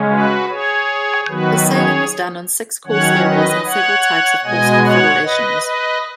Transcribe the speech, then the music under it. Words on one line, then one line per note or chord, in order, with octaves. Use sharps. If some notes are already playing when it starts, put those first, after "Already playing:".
The sailing was done on six course areas and several types of course configurations.
Already playing: C#3 G#3 C#4
F#4 B4
G#4 C#5
D#3 F#3 B3 F#4 B4
G#4 C#5
D#3 F#3 C#4 C#5 F#5
B4 D#5
C#5 F#5
B2 G#3 B3 D#5 G#5
C#5 F#5
B4 D#5
B4 D#5